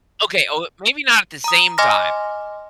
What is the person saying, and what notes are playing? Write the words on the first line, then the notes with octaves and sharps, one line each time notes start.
Okay. Oh, maybe not at the same time
A#5 D#6
D#5 G#5 C6 D6 F6 A#6